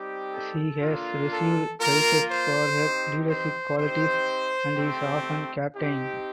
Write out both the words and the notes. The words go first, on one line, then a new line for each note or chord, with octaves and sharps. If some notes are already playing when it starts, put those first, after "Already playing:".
She has received praise for her leadership qualities and is often captain.
Already playing: G3 C4 D#4 G4
A4
A#3 D4 F4
A4
A#3 F4 A#4
C5
C4 D#4 G4
C5
C4 D#4 G4 C5
A3 C4 G4
C4 D#4 G4